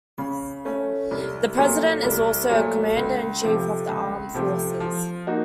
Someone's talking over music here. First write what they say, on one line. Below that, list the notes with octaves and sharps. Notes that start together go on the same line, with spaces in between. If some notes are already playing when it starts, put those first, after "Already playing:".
The president is also the commander-in-chief of the Armed Forces.
C#3
A3 C#4
C2
A#2 F#3 A3
C2
A#2 F#3 A3
C#2
C3 F3 A3
C#2
C3 F3 A3
F3
A#3 D#4 F#4